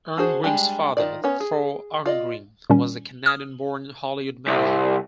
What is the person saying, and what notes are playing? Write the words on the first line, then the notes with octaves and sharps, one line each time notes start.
Arngrim's father, Thor Arngrim, was a Canadian-born Hollywood manager.
D4 F#4 G#4 C5
G3 G#3 D4 G4
D#3 F4 D5
B3 C#4 C#5
G#4
F4 D5 D#5
A#2 D#3 G3 C#4
D#6 F6
C2